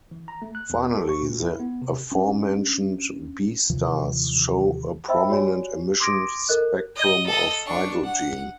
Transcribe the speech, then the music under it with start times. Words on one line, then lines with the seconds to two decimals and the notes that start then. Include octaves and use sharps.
Finally, the aforementioned Be stars show a prominent emission spectrum of hydrogen.
0.11 E3
0.28 A#5
0.42 A3
0.55 F#6
0.70 E2
0.83 B3
0.95 A4
1.09 C#6
1.22 A#2
1.40 E4
1.60 B3
1.82 C3
2.12 C#4 D4
3.70 D#2 C3 E3 F3
5.08 C5 D#5 E5 G5 B5 E6
5.29 F#4 G4 C#5 D5 G#5
6.00 C6 D6 D#6 G#6 A#6 D7
6.49 A4 A#4 D#5 F#6
6.96 D#5
7.26 A4 D#5
7.66 D4 C#6
8.05 F#5